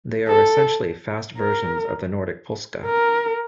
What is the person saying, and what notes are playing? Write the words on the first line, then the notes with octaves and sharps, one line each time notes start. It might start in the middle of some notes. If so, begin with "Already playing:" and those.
They are essentially fast versions of the Nordic polska.
A4
A#4
A#4